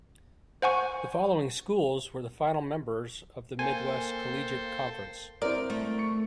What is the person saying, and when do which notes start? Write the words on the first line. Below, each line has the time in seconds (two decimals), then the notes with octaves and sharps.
The following schools were the final members of the Midwest Collegiate Conference.
0.62 C5 F#5 G#5 C#6
3.59 A#3 A4 C5 G5 G#5
5.42 C4 E4 A#4 D5
5.70 A3
5.98 C#6 C#7